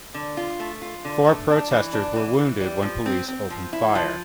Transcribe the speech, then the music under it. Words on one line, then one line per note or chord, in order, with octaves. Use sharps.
Four protesters were wounded when police opened fire.
D3
F4
A3
F4
D3
A3
D4
E3
D4
E3
E3
G3
F3
C4
C4
F3
E4
F3